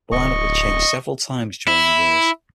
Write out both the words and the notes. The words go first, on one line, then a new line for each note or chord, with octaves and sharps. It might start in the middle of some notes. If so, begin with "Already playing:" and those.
The lineup would change several times during the years.
D1 D#5 C#6
E4